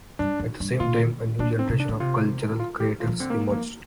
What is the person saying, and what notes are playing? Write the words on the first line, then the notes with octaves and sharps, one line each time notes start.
At the same time, a new generation of cultural creators emerged.
G2 D4
F2
G2
A#2 F4
A#2 D4
C4
C3
D4
D3
C3 F4
F4
G4
F4
F3
D3 C4
A#3
F3 A#3